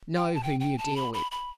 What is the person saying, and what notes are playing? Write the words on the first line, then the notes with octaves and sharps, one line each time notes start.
Know whom you deal with.
G5
A5
G5
G5
A5
B5
B5
B5